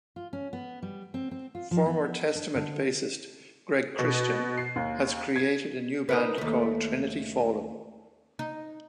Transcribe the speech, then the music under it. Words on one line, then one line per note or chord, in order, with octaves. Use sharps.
Former Testament bassist Greg Christian has created a new band called Trinity Fallen.
F4
C#4
B3
G3
C4
C4
F4
F3
B3
D4
D3
B2
C7
D#2
G#6
D#4 A#4 B4
D#2 A3
D#4